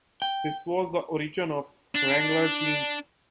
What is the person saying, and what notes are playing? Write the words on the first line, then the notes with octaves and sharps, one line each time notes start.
This was the origin of Wrangler Jeans.
G5
D4